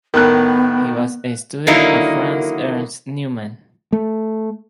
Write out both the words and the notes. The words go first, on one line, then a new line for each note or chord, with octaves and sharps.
He was a student of Franz Ernst Neumann.
A2 D#3 B3 A#4 F#6
D3 D#3 F#3 A#3 D#4 E4
A3